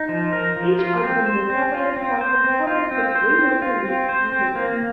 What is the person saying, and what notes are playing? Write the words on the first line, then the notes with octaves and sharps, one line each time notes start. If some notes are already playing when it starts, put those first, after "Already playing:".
Each autumn the Savoyes suffered problems with rainwater leaks through the roof.
Already playing: D#4
F3
A#4
F3
F4
C4
C5
C4
F4
C4
C5
C4
F4
C4
C5
C4
F4
C4
C5
C4
A#3